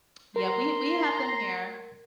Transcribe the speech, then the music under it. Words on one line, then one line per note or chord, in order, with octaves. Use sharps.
yeah, we we have them here,
A#4 A#5 C6